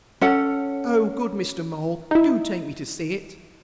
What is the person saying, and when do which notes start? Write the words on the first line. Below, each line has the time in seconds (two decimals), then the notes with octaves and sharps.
'Oh! good Mr. Mole, do take me to see it!'
0.21 C#4 A4 F#5
2.11 D#4 E4